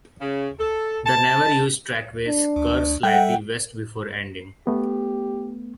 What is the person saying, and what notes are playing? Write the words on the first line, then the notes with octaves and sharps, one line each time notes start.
The never-used trackways curve slightly west before ending.
C#3
A4
A5
D4
D2
G3 A4 E5 F#5 G5
A3 B3 G4